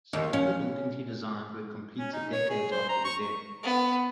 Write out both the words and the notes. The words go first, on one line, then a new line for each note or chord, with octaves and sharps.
Some of the buildings he designed were completed decades after his death.
D#2
C#4
C#4
D#4
C#5
G#4
C5
A#5
C#6
B3